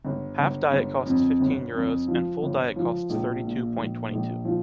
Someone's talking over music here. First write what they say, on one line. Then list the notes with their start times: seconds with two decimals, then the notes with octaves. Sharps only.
Half diet costs fifteen euros, and full diet costs thirty-two point twenty-two.
0.05 G1
0.39 G1
0.72 G1
1.06 F2
1.40 G1
1.74 F2
2.08 F3
2.42 G1
2.76 F3
3.10 A#1
3.44 A#2
3.78 A#1
4.11 A#1
4.45 F3